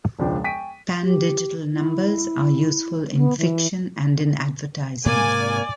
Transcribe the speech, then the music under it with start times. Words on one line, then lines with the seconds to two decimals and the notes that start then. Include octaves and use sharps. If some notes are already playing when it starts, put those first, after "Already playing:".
Pandigital numbers are useful in fiction and in advertising.
0.19 E1 C#2 F3 D4 G5
0.44 G5 G#5 C#6 B6 D7 D#7
1.01 G4
1.73 E4
3.14 B3
3.38 E3
5.06 G#2 C3 A#3 C4 D5 G#5